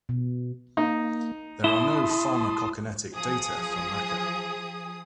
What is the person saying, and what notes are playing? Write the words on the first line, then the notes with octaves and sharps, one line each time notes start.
There are no pharmacokinetic data for maca.
B2
A#3 D#4
E4 A5 C6 D#6
F3 G#4 D#6